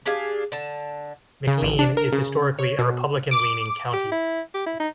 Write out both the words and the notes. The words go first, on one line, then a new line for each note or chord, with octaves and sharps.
McLean is historically a Republican-leaning county.
D4 G4 G#4 F5
D3 A5
C#3
A1
D4
A#4
C#3
C#5
B2
D6
G4
E4
G4
E4
D#4